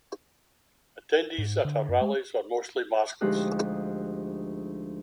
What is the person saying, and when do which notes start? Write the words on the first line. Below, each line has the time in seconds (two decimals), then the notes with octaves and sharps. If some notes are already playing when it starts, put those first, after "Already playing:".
Attendees at her rallies were mostly maskless.
1.38 G#2
1.65 D3
1.89 F#2
2.01 G#3
3.21 D2 F3 G#3 D#4 G4 F#6